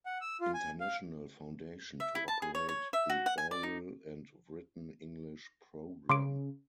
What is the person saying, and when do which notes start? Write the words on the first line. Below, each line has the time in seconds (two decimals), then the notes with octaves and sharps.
International Foundation to operate the Oral and Written English Programme.
0.06 F#5
0.21 E6
0.41 F4
0.54 G#5
0.80 F5
2.00 E5
2.15 E4
2.28 A5
2.42 G#4
2.55 C#5
2.69 C#5
2.93 E5
3.10 F#4
3.26 F#5
3.38 G#5
3.51 D5
3.63 D#4
6.10 C#3 C6 D6 D7